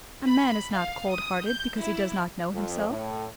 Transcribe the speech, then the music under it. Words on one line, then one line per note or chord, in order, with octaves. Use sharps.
A man is not cold-hearted, because he does not know himself.
B5
F5
D#6
G6
E4
F2
A2